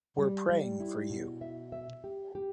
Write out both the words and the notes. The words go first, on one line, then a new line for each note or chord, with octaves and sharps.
We're praying for you.
G3
G3
E4
B2
E5
E5
G4
G4